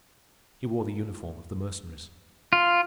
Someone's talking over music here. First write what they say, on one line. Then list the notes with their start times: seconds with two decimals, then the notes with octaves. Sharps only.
He wore the uniform of the Mercenaries.
2.53 F4